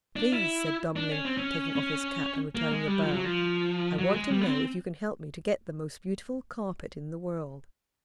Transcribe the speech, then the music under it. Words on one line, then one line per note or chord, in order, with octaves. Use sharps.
"Please," said Dummling, taking off his cap and returning the bow, "I want to know if you can help me to get the most beautiful carpet in the world."
D4
E4
D4
C#4
C4
C#4
C#4
A#3
G#3
G3
F3
F#3
F3
F#3
G#3
G3
B3
C4